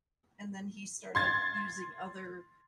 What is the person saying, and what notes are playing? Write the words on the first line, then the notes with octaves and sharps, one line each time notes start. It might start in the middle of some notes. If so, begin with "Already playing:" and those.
and then he started using other
C6 G#6 A6